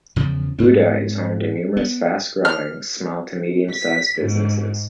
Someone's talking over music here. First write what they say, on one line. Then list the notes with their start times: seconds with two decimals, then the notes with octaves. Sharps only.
Buda is home to numerous fast-growing small- to medium-sized businesses.
0.16 E2 C#3 F3
0.59 G#2 C4
1.77 B3
2.45 F6
3.69 B6
4.19 G#2